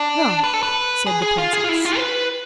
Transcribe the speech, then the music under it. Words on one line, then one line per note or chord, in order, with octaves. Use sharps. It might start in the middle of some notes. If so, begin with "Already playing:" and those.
'Wrong,' said the Princess.
Already playing: D4
B4
A4
B4
G#4
G#4
F4
G#4
F4
E4
F4
C5
B4